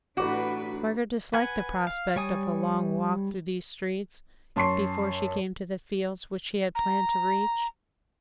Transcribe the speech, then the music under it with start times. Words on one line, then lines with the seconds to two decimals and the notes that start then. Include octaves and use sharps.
Margaret disliked the prospect of the long walk through these streets, before she came to the fields which she had planned to reach.
0.17 A1 D4 F#4 B4 D6
1.34 B4 F#5 G#5
1.87 F5
2.16 G3 C#5 G#5 D#6
4.56 F#2 A5 C6 C#6 C7
6.75 A#5